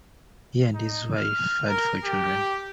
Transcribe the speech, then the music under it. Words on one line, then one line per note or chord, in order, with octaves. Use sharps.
He and his wife had four children.
D#4
F6
A#4
G4